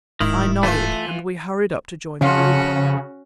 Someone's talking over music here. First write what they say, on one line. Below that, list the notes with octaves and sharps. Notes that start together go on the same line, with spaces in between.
I nodded, and we hurried up to join the group.
D1 G#2 D#3 E4
E3 A3 F4
F2 C#3 F3 C#4 F#4 F5